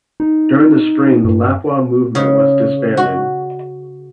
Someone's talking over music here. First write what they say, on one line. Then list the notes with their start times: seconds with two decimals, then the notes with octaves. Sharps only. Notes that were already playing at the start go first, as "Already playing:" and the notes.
During the spring the Lapua Movement was disbanded.
0.20 D#4
1.25 G2
2.15 C#3
2.97 F#4